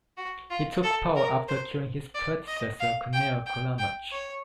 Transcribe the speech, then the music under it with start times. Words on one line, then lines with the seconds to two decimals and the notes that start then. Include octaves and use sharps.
He took power after killing his predecessor, Conall Collamrach.
0.17 F#4
0.50 F4
0.83 A4
1.16 A#4
1.48 C5
2.15 D5
2.48 D#5
2.80 F5
3.13 G5
3.46 G5
3.79 G5
4.11 C#5